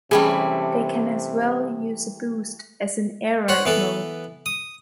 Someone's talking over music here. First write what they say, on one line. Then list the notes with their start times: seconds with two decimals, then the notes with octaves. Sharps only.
They can as well use a boost, as in Air Ride mode.
0.11 C3 E3 G3 A3 C#4 G#4
3.48 C5 C#5 F#5
3.65 E3 B3 A4
4.46 D#6